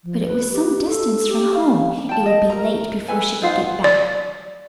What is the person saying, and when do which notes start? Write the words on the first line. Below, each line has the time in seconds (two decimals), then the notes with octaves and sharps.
But it was some distance from home; it would be late before she could get back.
0.05 F3
0.26 B4
0.53 G4
0.87 A4
1.29 G4
1.54 F5
2.09 G5 A5
2.26 D#5
2.50 A#4 A#5
3.08 A4 B4 G#5
3.42 D#4 F4 C5 F#5
3.84 D5